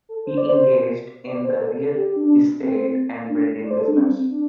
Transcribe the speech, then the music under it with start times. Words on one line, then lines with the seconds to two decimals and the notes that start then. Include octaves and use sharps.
He engaged in the real estate and building business.
0.09 A4
0.26 C5
0.37 D5
0.49 C5
1.26 D5
1.44 C5
1.60 A4
1.77 A4
1.95 G4
2.06 G4
2.16 D4
2.62 C4
3.29 D4
3.63 D5
3.71 C5
3.79 A4
3.88 D4
3.97 C4
4.30 D4